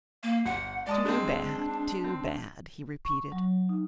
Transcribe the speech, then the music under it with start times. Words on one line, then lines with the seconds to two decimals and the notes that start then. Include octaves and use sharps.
"Too bad, too bad," he repeated.
0.23 A#3
0.46 G1 F#5
0.87 G#3 D5 A5 D#6
1.05 G#3 C4 D4
2.04 C4
3.05 C#6
3.32 F#3
3.69 D#4